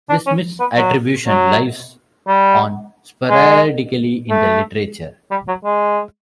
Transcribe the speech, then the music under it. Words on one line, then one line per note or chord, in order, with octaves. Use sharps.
This misattribution lives on sporadically in the literature.
D4
C#4
B3
F#3
F#3
G3
G#3
A3
G3
F#3
G#3